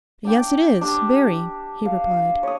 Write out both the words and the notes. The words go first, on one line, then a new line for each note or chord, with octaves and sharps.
'Yes, it is, very,' he replied.
D4 G5 D6
D4 G4
F5
C#5 D#6